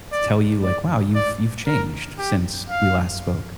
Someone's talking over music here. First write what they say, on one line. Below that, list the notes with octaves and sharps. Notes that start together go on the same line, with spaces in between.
t tell you, like, "Wow, you've you've changed since we last spoke?"
D5
D5
D5
A#4
G4
F5